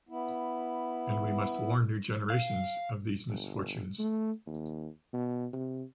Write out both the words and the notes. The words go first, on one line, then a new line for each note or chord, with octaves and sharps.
And we must warn new generations of these misfortunes.
B3 E4
F5
G1
A3
D#2
B2
C3